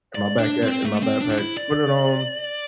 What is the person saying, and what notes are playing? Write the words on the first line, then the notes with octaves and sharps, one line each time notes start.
in my back a in my backpack, put it on,
D5
D4
C4
A3
C4
D4
D4
E4
D5